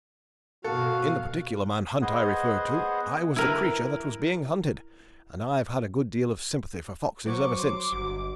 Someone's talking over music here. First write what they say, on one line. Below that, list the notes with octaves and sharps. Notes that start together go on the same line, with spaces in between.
In the particular man hunt I refer to I was the creature that was being hunted, and I've had a good deal of sympathy for foxes ever since.
B2 F#4 A4 F5
B3 G#4 C5 D#5 F#5 G#5
E4 A#4 B4
F#3 B4 C5 C#6 D6
C6 D6
G1 F#4